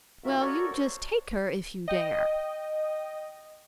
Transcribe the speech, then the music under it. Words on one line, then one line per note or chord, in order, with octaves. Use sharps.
"Well, you just take her, if you dare."
G#2 C#3 F4 F#4 A#4 E5
F#4 A4 A#4 C#5 D5
C5
D#5 G5